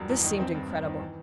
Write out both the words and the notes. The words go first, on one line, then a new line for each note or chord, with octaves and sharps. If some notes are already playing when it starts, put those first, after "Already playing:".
This seemed incredible.
Already playing: E1 G2 F#3
E2
D#3
C4
G2
G2
D#3
E3